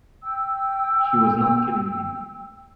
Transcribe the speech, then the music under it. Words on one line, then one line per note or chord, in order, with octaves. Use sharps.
She was not kidding me.
G5 E6